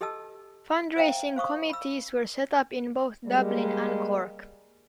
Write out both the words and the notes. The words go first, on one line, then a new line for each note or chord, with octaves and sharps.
Fundraising committees were set up in both Dublin and Cork.
G4 A4 D#5 A5 E6
C5 E5 F5 G5 A#5
C5 F5 C#6 D#6
B5 E6
G3 G#3 A#3